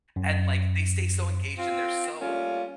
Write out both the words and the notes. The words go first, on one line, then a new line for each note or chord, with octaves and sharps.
and, like, they stay so, engaged and they're so,
F#2
C4 F4
G3 A3 A#3 C#4 F4